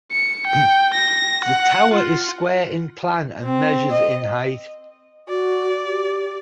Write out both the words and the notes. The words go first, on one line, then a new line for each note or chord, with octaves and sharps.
The tower is square in plan and measures in height.
C#7
G5
A#6
F#5
F4
C4
D#5
F#4 D5
G4